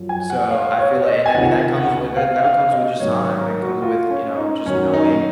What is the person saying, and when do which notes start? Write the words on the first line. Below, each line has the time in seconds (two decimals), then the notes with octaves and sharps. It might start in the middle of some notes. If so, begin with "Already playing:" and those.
So, I feel like and, I mean, that comes with that that comes with just time; that comes with, you know, just knowing,
Already playing: F#2 F3
0.09 G#5
0.30 F#5
0.51 F5
0.79 C#5
1.06 D#5
1.26 G#5
1.34 C#2 C3 D#3 F#5
1.76 F#5
2.17 F5
2.44 F5
2.72 D#5
3.00 G#2 D#3 F#3 C#5
3.20 C#5
3.41 A#4
3.62 F#4
3.82 F4
4.10 C#4
4.38 D#4
4.65 F#2 D#3 F#3 C#4
4.94 D#4